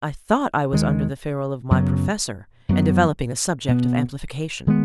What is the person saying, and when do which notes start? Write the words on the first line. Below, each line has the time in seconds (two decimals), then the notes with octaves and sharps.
"I thought I was under the ferule of my professor, and developing a subject of amplification."
0.72 D#2 D#3 G#3
1.71 F#2 C#3 F#3 B3
2.69 F#2 F#3 B3
3.68 B2 B3
4.67 D#3 G#3 B3